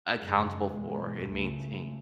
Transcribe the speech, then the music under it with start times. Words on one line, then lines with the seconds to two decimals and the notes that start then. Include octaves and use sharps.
accountable for and maintain.
0.15 F#2 C#3 G#3
0.72 E2 B2
1.29 C#2 C#3 A3